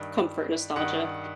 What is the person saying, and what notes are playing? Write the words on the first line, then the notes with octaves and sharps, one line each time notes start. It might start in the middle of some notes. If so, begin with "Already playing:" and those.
comfort nostalgia.
Already playing: G2 D#3
G2 D#3 F#5